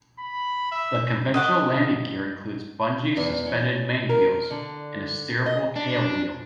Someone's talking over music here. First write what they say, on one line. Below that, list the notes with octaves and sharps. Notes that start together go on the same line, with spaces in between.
The conventional landing gear includes bungee-suspended main wheels and a steerable tail wheel.
B5
E5
D#5 F#5 D6
E2
C#4
A#4
D3
D#5
D4